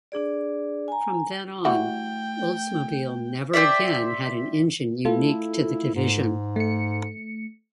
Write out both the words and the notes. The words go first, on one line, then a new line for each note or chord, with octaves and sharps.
From then on, Oldsmobile never again had an engine unique to the division.
D4 G#4 D5
G#5 A#5
E3 G3 A3 F#4 G5
G4 C5 D5 E5
A3 E4 F4 A4
G#2
A3 C#7